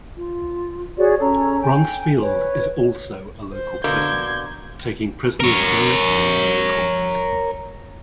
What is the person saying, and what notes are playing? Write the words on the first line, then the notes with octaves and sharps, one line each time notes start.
Bronzefield is also a local prison, taking prisoners directly from the courts.
F4
F#4 G#4 C#5 D5
C#4 A4 C#5 A#5
G5 G#5
B4 C#5
C5
B2 D3 A#3 G6 G#6
A#4 C#5